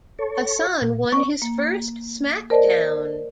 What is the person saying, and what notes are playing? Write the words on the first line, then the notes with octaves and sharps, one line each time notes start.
Hassan won his first SmackDown!
A4 C#5
A#2
B3 D5 C#6
A#3
A#4 C5 D5 D#5 A5